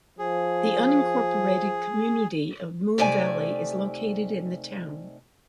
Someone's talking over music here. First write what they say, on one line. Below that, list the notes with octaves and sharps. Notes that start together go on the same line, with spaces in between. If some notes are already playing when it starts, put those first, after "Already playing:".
The unincorporated community of Moon Valley is located in the town.
F3 G#4
C3 D#3 A3 D5 G#5